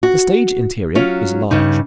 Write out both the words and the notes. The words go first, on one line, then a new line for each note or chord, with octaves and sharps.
The stage-interior is large.
F#4
F#3 C#4 F4
G2 C#3 D#4